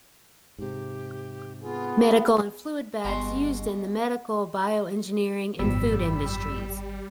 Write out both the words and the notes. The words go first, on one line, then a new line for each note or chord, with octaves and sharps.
Medical and fluid bags used in the medical, bioengineering and food industries.
G#2 C3 G4
B3 F4 G#4
G1 G2 B2 G#3 A#5 C6
G#1 F#2 B2 F3 G3 B5 E6